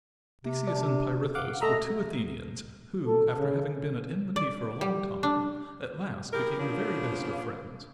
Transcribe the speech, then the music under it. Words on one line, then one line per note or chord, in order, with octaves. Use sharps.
Theseus and Pirithous were two Athenians, who, after having been at enmity for a long time at last became the very best of friends.
C3
D4
F5 F#5 D6
A3 D#5 E5 A#5
A4
C#3
D5
G3
D4
E4 G4 G#4 A#4
F3 A#3 B3 C#4 D4